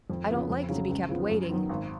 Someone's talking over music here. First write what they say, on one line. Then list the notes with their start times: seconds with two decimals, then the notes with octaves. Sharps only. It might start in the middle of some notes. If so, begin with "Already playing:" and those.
I don't like to be kept waiting.
0.10 F2
0.30 C#3 F3 B3
0.50 F2
0.69 C#3 F#3
0.89 C#2
1.09 C#3 F3 B3
1.29 F#2
1.50 D#3 F#3 B3
1.69 G#1